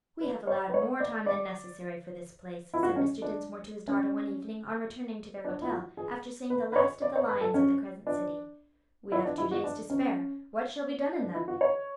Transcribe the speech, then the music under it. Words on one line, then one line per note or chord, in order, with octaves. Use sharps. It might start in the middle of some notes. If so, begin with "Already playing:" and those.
"We have allowed more time than necessary for this place," said Mr. Dinsmore to his daughter one evening on returning to their hotel, after seeing the last of the lions of the Crescent City; "we have two days to spare; what shall be done in them?"
B4
C#5
B4
C#5
D5
D5
E4
F#4
C#4
D4
C#4
D4
E4
F#4
G#4
B4
B4
C#5
D5
C#5
B4
A4
C#4
D4
E4
D4
E4
F#4
D4
C#4
D4
E4
F#4
C#5